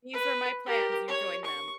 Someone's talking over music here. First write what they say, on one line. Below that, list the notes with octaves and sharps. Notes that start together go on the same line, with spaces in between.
these are my plans, you join them.
B4
G4 A#4
C#5
C#6